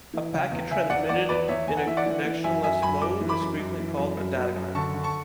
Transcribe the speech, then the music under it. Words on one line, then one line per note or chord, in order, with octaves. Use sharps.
A packet transmitted in a connectionless mode is frequently called a datagram.
E3
C#3
E2
C#3 E5 G#5
E2 D5 F#5
E2 D5 F#5
E2 B4 D5
E2 C#5 E5
E2 G#5
F#5
E3 E5
D5 F#5
E3
E3
F#2 E5 G#5
F#2 E5 G#5
F#2 G#5 B5
F#2 D6
E3
B5 D6
F#2
F#2
E3
F#2
F#2
F#3
F#2
D3 A5 C#6
D3
A5 C#6